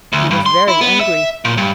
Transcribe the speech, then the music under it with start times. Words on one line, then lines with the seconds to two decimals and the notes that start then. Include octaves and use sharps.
He was very angry.
0.13 D2
0.31 G2
0.46 C6
0.68 E4
0.81 B3
1.00 E5
1.45 A#2
1.57 G2